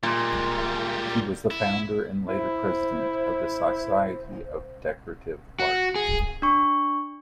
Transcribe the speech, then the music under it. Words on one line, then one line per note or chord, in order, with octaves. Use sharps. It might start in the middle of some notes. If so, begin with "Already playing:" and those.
She was a founder and later President, of the Society of Decorative Art.
A#2 G3 G#3
E4
E4 C5
F#4
G#4
D4 C#6